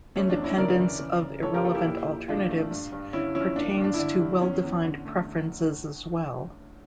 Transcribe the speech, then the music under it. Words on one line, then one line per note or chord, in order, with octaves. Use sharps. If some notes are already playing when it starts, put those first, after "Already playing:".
Independence of irrelevant alternatives pertains to well-defined preferences as well.
A3 C#4
D4
E2
C#4 E4
C#3 A#4 D5
E3
C#3
C#3
F3 A4 C#5
G4 A#4
A#3 F4 A4
E4 G4
A#2
A#2
F3 D4 F4
A3
G2
G2
D3 C#4 E4
F3 C#4 E4
A#3 D4
D4
G2
D4
E4
D3 D4
G3
E2 C#4
E2
D3
A3